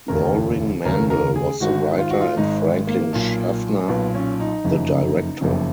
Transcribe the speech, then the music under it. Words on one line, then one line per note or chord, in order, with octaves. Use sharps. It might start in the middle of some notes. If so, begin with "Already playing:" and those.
Loring Mandel was the writer and Franklin Schaffner the director.
F1 D#2 C#3 A#4
F1 D#2 C#3 A#4
A#4
G#4
G#1 G#2 D#3 F#4
F4
F#4
F4
G#1 G#2 D#3 D#4
A#3
B1 A#2
B1 A#2 B3
C#4
D#4
F#1 F2 C#3
F#1 F2 C#3